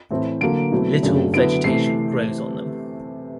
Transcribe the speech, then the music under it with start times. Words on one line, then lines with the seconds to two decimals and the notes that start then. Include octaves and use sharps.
Little vegetation grows on them.
0.11 A2 E3 A3 C4 E4
0.41 D3 F#3 A#3 D7
0.72 B2 F#3 A3 C4 E4
1.03 F#2 C#3 F#3 A3 D4
1.33 D3 F#3 B3 E4 D7
1.64 C3 E3 A3 C7